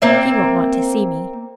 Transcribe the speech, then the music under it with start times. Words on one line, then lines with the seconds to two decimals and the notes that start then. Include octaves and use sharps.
He won't want to see me.
0.02 A#3 C4 E5